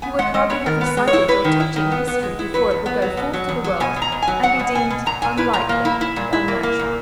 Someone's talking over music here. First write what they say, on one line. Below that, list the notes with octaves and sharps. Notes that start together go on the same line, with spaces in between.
You would hardly have recited your touching history before it would go forth to the world, and be deemed unlikely and unnatural.
B3 G#5
G#3 F#5
G#3 D#5
B3 C#5
D#3 A#4
B3
B4
G#3
C#5
E4
E4 B4
D#3
E4
D#3
B3
B3
G#3
E4
F#3 B4
E2
B3
F#3
B2
F#3
E2
F#3
B2 G#5
B2
A#5
B2
G#5
F#3
F#3 F#5
B2
B2 G#5
B2
A#2 A#5
A#2 G#5
E4 B4
A#2 A#5
A#3
E4
E4
A#2
E4
A#3
A#3
A#2